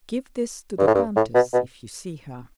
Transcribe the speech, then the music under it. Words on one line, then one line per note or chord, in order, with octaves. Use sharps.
"Give this to the countess... if you see her."
G2
A2
G2
A2
B2
B2